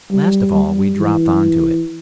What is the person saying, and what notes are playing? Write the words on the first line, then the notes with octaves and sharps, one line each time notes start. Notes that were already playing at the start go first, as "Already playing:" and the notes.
Last of all we dropped on to it.
G3
G3
E3